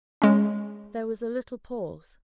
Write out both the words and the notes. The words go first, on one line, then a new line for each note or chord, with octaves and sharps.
There was a little pause.
G#3 C#4